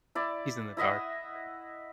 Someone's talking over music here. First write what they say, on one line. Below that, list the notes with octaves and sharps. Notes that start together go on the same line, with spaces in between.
He's in the dark, yeah.
E4 D5
E4 D#5 E5 F#5